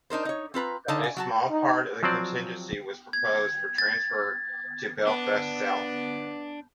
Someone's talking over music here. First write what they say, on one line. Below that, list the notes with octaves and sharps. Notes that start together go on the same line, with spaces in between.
A small part of the constituency was proposed for transfer to Belfast South.
D4 D#4 A#4 C5
D#4 C#5
C4 F4 B4 A#5
D3 D#4 A5
G#5
F#3 F#4 A5
D#4
F3 F#3 C4 C5 D5
G#6
A6
B3 D4